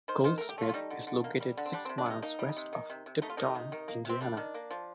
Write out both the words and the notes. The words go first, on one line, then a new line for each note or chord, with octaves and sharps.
Goldsmith is located six miles west of Tipton, Indiana.
D#3 C5
D#3 C5
A3 A#4
G4
A3 F4
F4
G3 D#4
D3
D3
A#3
G3
D3
C4
G3 D4
C4
C3
D4
C3 D#4
A#3 D#4
G3
C3
D#3
C3
C3
A3 D#4
F4
D#3 D#4
C3
D#3
A#3
C3 C4
G3 D4
D#3
A#3
F3